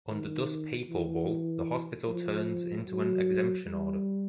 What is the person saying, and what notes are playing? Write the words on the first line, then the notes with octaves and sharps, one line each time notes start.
Under thus papal bull, the Hospital turns into an exemption Order.
D#3
E3
F3
F#3
G3